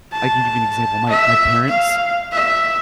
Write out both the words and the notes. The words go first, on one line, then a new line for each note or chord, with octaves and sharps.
I can give you an example, my my parents,
A5
E5
F5
E5